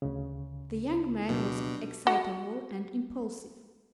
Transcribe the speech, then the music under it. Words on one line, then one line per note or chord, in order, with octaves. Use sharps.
The young man was excitable and impulsive.
D2 C#3
B2 F#3 D4 G4
F#4 F#5